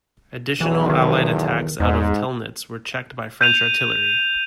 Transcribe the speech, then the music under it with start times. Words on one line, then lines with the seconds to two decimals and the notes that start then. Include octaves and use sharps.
Additional Allied attacks out of Telnitz were checked by French artillery.
0.61 B1 E2 E3
0.90 D#3
1.80 E2 G#2
3.41 G6 D#7 F7